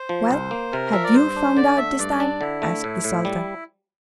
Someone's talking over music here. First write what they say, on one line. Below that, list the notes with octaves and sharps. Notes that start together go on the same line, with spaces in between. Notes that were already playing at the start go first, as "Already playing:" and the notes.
'Well, have you found out this time?' asked the Sultan.
Already playing: C5
F3
C2 C5
A#3
C3 A#4
F3 E5
D5
G2 C5
D4
D3 D5
A3 E5
G2 D5
D4
D3 E4
A3
A2
A2
G3